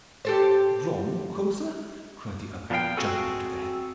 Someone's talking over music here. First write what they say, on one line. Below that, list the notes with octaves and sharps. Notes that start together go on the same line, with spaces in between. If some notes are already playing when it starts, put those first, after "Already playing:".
"Wrong, quotha?" cried the other, jumping out of the heather.
G4 A4 C5
A#2 F3 B3 G#4 F5 G5
C4 F#4 G#4 A4